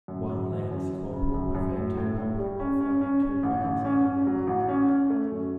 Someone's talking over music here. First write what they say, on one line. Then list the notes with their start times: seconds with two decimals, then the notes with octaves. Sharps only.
One Lance Corporal prevented a robbery by firing two rounds at a robber.
0.08 F#2
0.29 F#2
0.51 E3
0.71 F#2
0.92 F#2
1.13 C#3
1.34 F#2
1.55 F#2
1.76 A2
1.97 A2
2.18 A2
2.39 G3
2.60 C#4
2.81 C#4
3.01 C#4
3.22 C#4
3.43 A1
3.64 A1
3.85 C#4
4.05 C#4
4.27 F#3
4.47 A1
4.68 C#4
4.89 C#4
5.10 A3
5.32 F#2